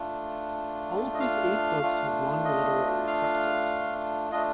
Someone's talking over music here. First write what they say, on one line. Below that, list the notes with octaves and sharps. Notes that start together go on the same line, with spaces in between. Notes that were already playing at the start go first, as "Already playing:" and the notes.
All of his eight books have won literary prizes.
Already playing: A3 D4 F4
D#5
F5
A3 D4 F4
D#5
F5
A3 D4 F4 D#5